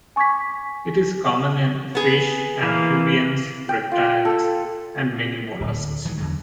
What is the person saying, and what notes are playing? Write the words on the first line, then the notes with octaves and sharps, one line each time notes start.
It is common in fish, amphibians, reptiles, and many molluscs.
G#5 C#6 D6 G#6 B6
B3 G#4
E3 A#3
G5
F4
A4
D1
D#3 E3 F#3 G#3
E2 D3 F#3